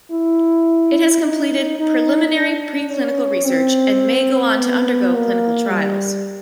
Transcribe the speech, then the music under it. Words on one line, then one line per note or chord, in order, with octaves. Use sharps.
It has completed preliminary preclinical research and may go on to undergo clinical trials.
E4
D#4
D#4
D4
C#4
C4
B3
A#3
G3